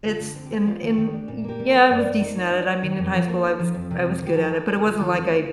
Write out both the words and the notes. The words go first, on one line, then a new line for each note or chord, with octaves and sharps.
It's in in Y yeah, I was decent at it, I mean in high school I was I was good at it, but it wasn't like I,
D3 F4 A4
D3
C4
C4 G4
G3 F4
D#3
A4
D#3 G4
D4
A#2
A#3 G4 A#4
G3
G3 A4 C5
G2 A#4 D5
C4
D#4
D#4
D4
D4
D#3
F2
F3 A4 C5
A#3
D#4
F3
F2
C3
F2
D#3 G4
F3 F4 A4
D#4
D#4 A4
A#4
D3 F4 A4
D#3 F4 A4
F2
A3